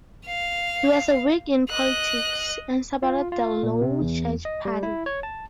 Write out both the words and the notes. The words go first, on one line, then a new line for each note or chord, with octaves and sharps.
He was a Whig in politics, and supported the Low Church party.
F5
D#5 F#6
F4
F4
A#2
C3
E2
D#5
G3
E4
C#5
A5